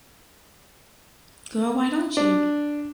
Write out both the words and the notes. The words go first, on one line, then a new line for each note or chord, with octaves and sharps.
Girl Why Don't You?
D4